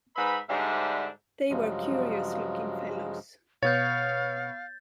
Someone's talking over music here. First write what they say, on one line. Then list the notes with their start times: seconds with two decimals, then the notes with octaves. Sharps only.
They were curious-looking fellows.
0.16 G#2 B4 E5 B5
0.50 G#2 D3 G3 D4 C5 E5
1.50 G2 C#3 F3 F#3 G#3
3.63 B2 B3 C#5 F5 G6 A6